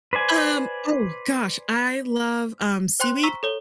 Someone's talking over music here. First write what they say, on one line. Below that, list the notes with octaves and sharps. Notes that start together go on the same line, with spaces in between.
Um Oh gosh, I love, um, seaweed
B4 C5 D5 G#5
C5 G5 C6 F#6
A#5 C#6 E6 B6
A4 C#5 G7